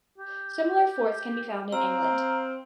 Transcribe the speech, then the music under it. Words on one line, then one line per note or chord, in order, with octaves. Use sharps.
Similar forts can be found in England.
G4
C4 F5 A#5